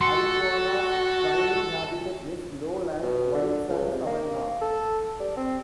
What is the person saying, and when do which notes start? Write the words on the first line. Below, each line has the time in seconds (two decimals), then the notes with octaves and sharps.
"Aripuana"'s primary habitat is lowland, white-sand savanna.
0.01 F#4 A4 C6 C#7
3.03 B2
3.34 D3
3.69 C#2
3.91 C3
4.06 A#3
4.62 A4
5.20 G3
5.37 C4